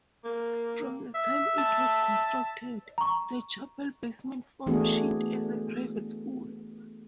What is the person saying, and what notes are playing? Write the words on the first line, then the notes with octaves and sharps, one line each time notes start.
From the time it was constructed, the chapel basement functioned as a private school.
A#3
E5
A5
A#5 C#6
E3 A3 B3 D4 F#4 G#4